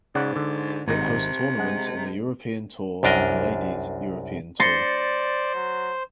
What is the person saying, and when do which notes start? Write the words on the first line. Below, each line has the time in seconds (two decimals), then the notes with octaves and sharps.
It hosts tournaments on the European Tour and the Ladies European Tour.
0.15 G#2 C#3 D5 F#5
0.36 D3
0.88 G#1 C3 D#4
1.58 G#3 F#5
3.03 C2 F#2 D4 A#4 D#5
4.60 C5 D5 C6 A6 A#6 C#7
5.55 F#3